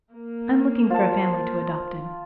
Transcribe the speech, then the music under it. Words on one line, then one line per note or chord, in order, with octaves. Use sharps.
I am looking for a family to adopt him.
A#3
F4 C5 A5